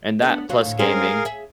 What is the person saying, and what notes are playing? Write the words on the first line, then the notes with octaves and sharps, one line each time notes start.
and that plus gaming.
B3 D4 A4
F#3 B3 F4
D2 A2
G#3 C4 C#4 G#4 A#4 F5
G#4 E5